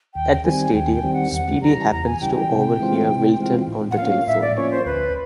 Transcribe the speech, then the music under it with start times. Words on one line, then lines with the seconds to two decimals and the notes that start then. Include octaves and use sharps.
At the stadium, Speedy happens to overhear Wilton on the telephone.
0.14 D#2 G5
0.33 G5
0.44 D#3 G3 C4 G#5
0.74 D#2 G5
0.94 G5
1.03 D#3 G3 C4
1.14 F#5
1.32 E2 F#5
1.62 C#3 E3 G3 A#5
1.91 E2 A#5
2.06 G#5
2.21 C#3 E3 G3 G5
2.35 G5
2.51 C3
2.79 E3 G#3 C4 F4
3.09 C3
3.38 E3 G#3 C4 F4
3.67 A2
3.91 F#5
3.97 F3 A#3 C#4 F5
4.27 A2 E5
4.42 D5
4.56 F3 A#3 C#4 C#5
4.71 C5
4.86 D2 B4